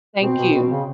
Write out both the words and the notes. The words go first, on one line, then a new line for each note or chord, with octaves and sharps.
Thank you.
B2 C4
B2
B2
C#3